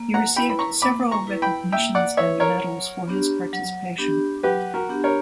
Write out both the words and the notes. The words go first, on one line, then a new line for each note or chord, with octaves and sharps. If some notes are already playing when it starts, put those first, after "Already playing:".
He received several recognitions and medals for his participation.
Already playing: A#3
F#5 A#5
E4 B4 G5 B5
B5
A#5 C#6
A#3 B5 D6
A#5 C#6
E4 B4
G5 B5
A#3 E5 G5
D5 F#5
E4 B4 C#5 E5
A#4 C#5
F#3
B3 D4 G4
F#3
B3 D4 G4
F#3 G4 B4
F#4 A#4
B3 D4 G4
A#4 C#5